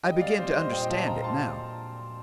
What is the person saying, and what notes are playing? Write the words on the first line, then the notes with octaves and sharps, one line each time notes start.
"I begin to understand it now."
G3 D#5 G5
D5 F5
C4 C5 D#5
C5 D#5
A#2 D#5 G5
F5 A5
A#2 G5 A#5
A5 C6